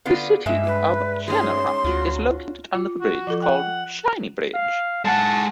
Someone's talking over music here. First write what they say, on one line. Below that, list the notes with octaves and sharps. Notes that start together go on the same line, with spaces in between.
The city of Chenaran is located under the bridge called Shiny Bridge.
D3 B3 F4
G2 G#3 E5
B4
C#4 D#4 G#4 C6
D2 F4 F#4
F4
F#4
F3 F4 A4
F#5 G5
F5
G#3 F#5 A5